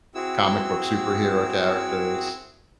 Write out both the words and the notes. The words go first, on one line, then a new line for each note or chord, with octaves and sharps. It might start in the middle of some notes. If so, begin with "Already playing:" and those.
comic book superhero characters.
C4 E4 F#4 G#4 E6